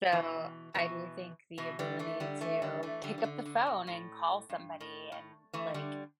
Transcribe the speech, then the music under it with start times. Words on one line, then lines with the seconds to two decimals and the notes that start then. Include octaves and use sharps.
So, I do think the ability to pick up the phone and call somebody and, like,
0.12 B2 E3
0.75 B2 E3
1.58 B2 E3
1.79 D3 G3
1.99 E3 A3
2.20 D3 G3
2.41 E3 A3
2.62 D3 G3
2.83 E3 A3
3.04 D3 G3
3.18 E3
3.24 D3
3.46 D3
3.67 B2
3.87 A2
4.49 G2
4.81 A2
5.12 A2
5.53 E3 A3
5.74 D3 G3